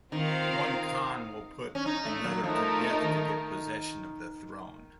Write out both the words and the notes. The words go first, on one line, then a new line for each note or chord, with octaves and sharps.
One Khan will put another to death to get possession of the throne.
D#3 C4 F4 A#4 F5
C#4
D#4
A3
F#3
F3 A3 D#4 A#4
D#3